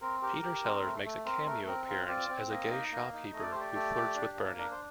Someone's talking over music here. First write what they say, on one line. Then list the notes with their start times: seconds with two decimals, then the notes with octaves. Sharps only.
Peter Sellers makes a cameo appearance as a gay shopkeeper who flirts with Bernie.
0.01 C4 A#4
0.22 G4 A#4
0.42 G4
0.64 C4
0.84 A3
1.05 A3
1.25 C4 A#4
1.46 A3 A#4
1.67 C4 A#4
1.87 F4 A#4
2.08 C4 D5
2.29 C4
2.50 A#3 D#5
2.71 D#4
2.92 A#3
3.13 D#4
3.32 A3 D#5
3.42 D5
3.51 G4 C5
3.60 D5
3.75 A3
3.96 G4
4.15 D4
4.37 A#3
4.57 D4 A#4
4.71 C5